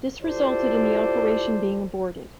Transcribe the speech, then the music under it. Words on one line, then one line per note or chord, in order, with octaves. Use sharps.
This resulted in the operation being aborted.
E4 F4 G4 A4 C5 D5